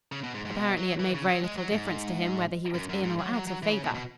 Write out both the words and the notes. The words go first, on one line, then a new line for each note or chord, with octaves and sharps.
Apparently, it made very little difference to him whether he was in or out of favor.
C#3
B2
G#2
G#2
B2
F#3
E3
C#3
F#3
G#3
F#3
G#2
F#2
F#2
G#2
F#3
F#3
F#3
E3
C#3
B2
B2